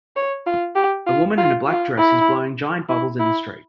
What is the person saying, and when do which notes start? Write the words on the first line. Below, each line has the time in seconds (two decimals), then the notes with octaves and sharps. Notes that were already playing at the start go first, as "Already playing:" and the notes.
A woman in a black dress is blowing giant bubbles in the street.
0.16 C#5
0.46 F4
0.76 G4
1.07 F4
1.38 F4
1.67 F4
1.97 E4
2.89 E4
3.19 E4